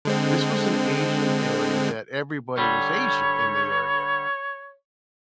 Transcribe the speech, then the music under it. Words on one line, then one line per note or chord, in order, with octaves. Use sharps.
this was an Asian area that everybody was Asian in the area,
D3 G#3 C4
D3 G3 C#5